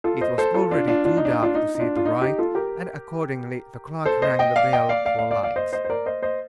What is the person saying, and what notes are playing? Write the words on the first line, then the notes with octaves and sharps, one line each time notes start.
It was already too dark to see to write, and accordingly the clerk rang the bell for lights.
F4 A4
C5 D#5
A4 C5
F4 A4
D4 F4
D4 F4
D4 F4
D#4
D4
D#4
D4 F4
D#4
D#4
D4 F4
F4
D#4
D#4 G4
F4 A4
G4 A#4
A4 C5
C5 D#5
D#5 G5
D5 F5
D#5 G5
D5 F5
D5 F5
D5 F5
D5 F5
D5 F5
C5 D#5
C5 D#5
C5
A#4 D5
C5 D#5
C5 D#5